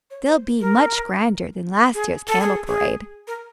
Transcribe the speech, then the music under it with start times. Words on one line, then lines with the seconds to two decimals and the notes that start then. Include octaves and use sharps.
They'll be much grander than last year's candle parade.
0.11 C#5
0.27 C5
0.60 A#4
1.94 G#4
2.28 A4
2.41 G#4
2.67 G#4
3.27 A#4